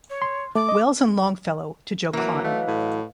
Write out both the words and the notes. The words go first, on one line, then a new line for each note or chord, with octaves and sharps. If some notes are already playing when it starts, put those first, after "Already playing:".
Wells and Longfellow to Joe Klein.
C#5
C6
A3 D6
D#5
E3 F#3 A#3
A3 B4 D#5 F5
A2